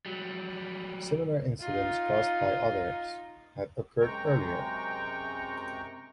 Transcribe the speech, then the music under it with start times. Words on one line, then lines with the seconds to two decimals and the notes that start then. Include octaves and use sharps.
Similar incidents caused by others had occurred earlier.
0.06 F#3 G3
1.61 D#4 F4
4.01 F#2 C3 G#3 G5 A#5 C#6